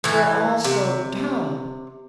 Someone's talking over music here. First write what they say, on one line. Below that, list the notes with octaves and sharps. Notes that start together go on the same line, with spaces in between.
They're all so dumb.
A2 E3
C3